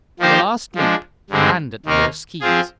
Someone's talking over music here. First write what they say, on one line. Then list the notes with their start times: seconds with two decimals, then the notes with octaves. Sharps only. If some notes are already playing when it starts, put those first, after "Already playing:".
With a last leap he landed near his skees.
0.20 F3 A#3 D#4 G4 C5
0.75 F3 G#3 D4
1.30 G2 D3 G#3 C4
1.86 D#2 D#3 A#3 D#4 A#4
2.41 F3 C4 F4 G#4